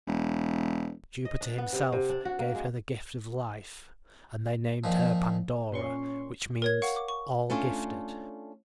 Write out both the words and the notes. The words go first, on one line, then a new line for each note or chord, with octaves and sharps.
Jupiter himself gave her the gift of life, and they named her Pandora, which means "all-gifted."
E1
D#5
D4
B3
C3
C3
D4
F#4
A#3
G#3
A#2 D#3 F3
A#2 C#4 C6 C#6
A#4 C#5 G#6
F5 F#5 C#6
D6
C#6
A3 C#4 D4 F4